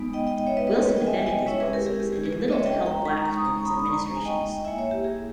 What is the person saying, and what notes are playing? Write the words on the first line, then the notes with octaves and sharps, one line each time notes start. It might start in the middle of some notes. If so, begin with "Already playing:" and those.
Wilson defended these policies and did little to help blacks during his administrations.
Already playing: G#3 B3 D#4
D#5 G5
D#5 G5
D#5 G5
C#5 E5
B4 D#5
B4 D#5
A#4 C#5
G#4 B4
D#5 G5
E5 G#5
G#5
D#5 G5
G#3 C#4 E4 C#5 E5
G#4 B4
G4 A#4
G#4
G4
G#4
G#4 B4
D#5
C#5 E5
D#5 G5
G5 A#5
G#3 D#4 A#5 C#6
A#5 C#6
D#6
A#5 C#6
B5 D#6
D#6
A#5 C#6
G#5
D#5 G5
A#3 E4 E5 G#5
C#5 E5
G4
G#4